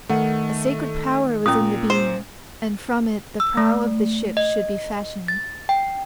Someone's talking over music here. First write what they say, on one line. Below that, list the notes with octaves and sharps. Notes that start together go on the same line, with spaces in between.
A sacred power was in the beam, and from it the prow of the ship should be fashioned.
D#3 A3 F#5
A#2 C#4 A#5 D#6
C5
E6
A3
D#5
A6
G5